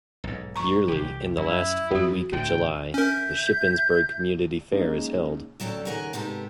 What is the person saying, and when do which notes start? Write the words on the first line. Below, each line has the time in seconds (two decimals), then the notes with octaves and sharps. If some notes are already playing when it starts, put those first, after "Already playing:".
Yearly, in the last full week of July, the Shippensburg Community Fair is held.
0.24 B1 G#2
0.56 A#5 C#6
0.88 C2 E3 G4
1.38 F#2 E4
1.91 F2 F4 F#4
2.33 D2 A2 D3 G5
2.94 C#4 A#4 E5 G6
4.72 G#3 A#3 C#4 D#4 D#5
5.60 D2 F#3 C#4 A4 G5
5.85 D#2 C#3 A#4 F#5 G#5
6.13 G#2 C3 B3 D#4 G4 A4